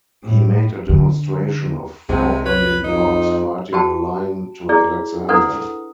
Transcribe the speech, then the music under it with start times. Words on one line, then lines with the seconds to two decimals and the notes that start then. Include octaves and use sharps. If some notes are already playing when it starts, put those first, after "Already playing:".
He made a demonstration of four Indian dogs fighting a lion to Alexander.
0.23 A2
0.89 D3
2.09 C2 C3 G#3
2.46 B4 C#5
2.84 F2 D#4
3.73 F#4 G4 G5 A5
4.69 E4 G#4 D5
5.29 D4 E4 A4 B4 F#5 D#6